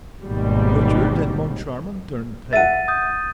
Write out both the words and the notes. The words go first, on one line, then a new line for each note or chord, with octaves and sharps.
Richard and Moncharmin turned pale.
G#1 D#2 G#2 B2 G3
E5 F#5 A6 D#7
D#6 G6